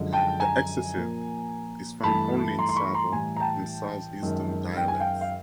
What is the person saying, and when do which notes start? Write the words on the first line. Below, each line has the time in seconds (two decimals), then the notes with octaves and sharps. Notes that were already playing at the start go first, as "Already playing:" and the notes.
The exessive is found only in Savo and southeastern dialects.
Already playing: F#2 D3 F3 G#3
0.13 G5 A5
0.40 G#5 A#5
0.94 A#2 F3 A#3
2.04 G2 E3 A3 A5 B5
2.59 A#5 C6
2.69 C6
2.76 B5 C#6
2.94 A#5 C6
3.13 A2 E3 G3 G#5 A#5
3.36 A#5
3.40 G5 A5
4.22 F#2 D#3 G#3
4.77 G5
4.88 G#5
5.00 F5 G5
5.21 F5